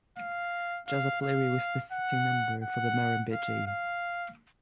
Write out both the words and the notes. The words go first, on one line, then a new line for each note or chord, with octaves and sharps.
Joseph Leary was the sitting member for The Murrumbidgee.
F5
F5
F5
F#5
F#5
F5
F5